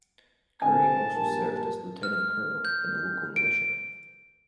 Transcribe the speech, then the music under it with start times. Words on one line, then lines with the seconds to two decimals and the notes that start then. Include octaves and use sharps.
Currie also served as Lieutenant-Colonel in the local militia.
0.62 D3 C4 G#5 A5
1.14 A#1 G2 A#4
2.03 F6
2.65 G6
3.36 D7